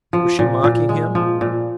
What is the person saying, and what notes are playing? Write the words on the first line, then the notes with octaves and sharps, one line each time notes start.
Was she mocking him?
F3
A#2
A#2
G#3
F3
A#2